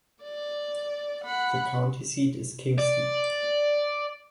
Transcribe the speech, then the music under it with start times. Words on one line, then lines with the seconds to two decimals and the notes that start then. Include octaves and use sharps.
The county seat is Kingston.
0.22 D5
1.24 F#5 B5
2.78 D5